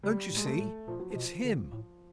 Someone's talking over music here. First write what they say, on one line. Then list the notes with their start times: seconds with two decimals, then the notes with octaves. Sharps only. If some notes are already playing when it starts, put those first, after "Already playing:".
"Don't you see? It's him!"
0.03 C#3 G3
0.31 A2
0.36 G#3
0.46 A3
0.59 A2
0.88 A#2 F3
1.00 F#3
1.10 F3
1.16 B2
1.44 D3
1.72 A2